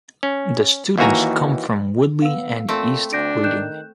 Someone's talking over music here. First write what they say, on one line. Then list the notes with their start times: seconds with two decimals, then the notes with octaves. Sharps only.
The students come from Woodley and East Reading.
0.23 C#4
0.98 D#2 E3 A#3 F#4 G#5 A#5
2.22 B3 F5 E6
2.68 A#2 A3 C4
3.13 D2 D4 G6 A#6 D7
3.44 D#3 F#6 G6 E7